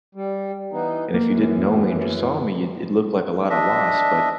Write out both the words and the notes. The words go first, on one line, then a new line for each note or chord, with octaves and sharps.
and if you didn't know me and just saw me, it it looked like a lotta loss, but
G3
E3 B3 D#4
A#3
F#2 E3
D4 D#5 E5